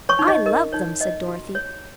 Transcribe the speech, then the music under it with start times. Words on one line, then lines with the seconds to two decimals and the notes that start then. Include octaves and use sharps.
"I love them," said Dorothy.
0.09 C#5 C#6
0.19 D#4
0.28 D#5
0.46 A#4 D#5
0.73 D#4 C#5
1.00 C#5 D#5
1.28 F#4
1.55 C#5